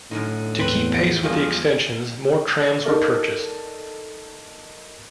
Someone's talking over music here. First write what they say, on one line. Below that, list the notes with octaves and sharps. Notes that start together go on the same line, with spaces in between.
To keep pace with the extensions more trams were purchased.
F#2 A2 D3 D#4
E2 C4 B4
G2 F3 G#3
D#4 A4 A#4 D5